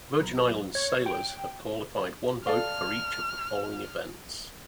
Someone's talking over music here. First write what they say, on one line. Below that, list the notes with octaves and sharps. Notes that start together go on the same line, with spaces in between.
Virgin Islands sailors have qualified one boat for each of the following events.
B1
C#5
G5
A4 D5 F5 F6